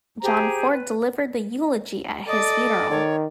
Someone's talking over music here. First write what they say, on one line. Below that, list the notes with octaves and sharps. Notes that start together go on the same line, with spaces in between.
John Ford delivered the eulogy at his funeral.
G4 G#4 C5 A#5
B4
A4 D5 D#5
D#3 C#5